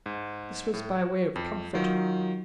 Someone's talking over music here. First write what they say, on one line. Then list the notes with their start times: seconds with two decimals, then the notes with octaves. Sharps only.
This was by way of comfort.
0.06 G#2
0.73 A2
0.95 F#4
1.36 F2
1.74 D#3 F#3 D#4 F4